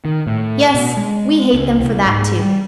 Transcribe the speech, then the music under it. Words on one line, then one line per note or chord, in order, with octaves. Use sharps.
Yes, we hate them for that too.
D#3
A2
B2
G#3
C#2
C2
G#2
G3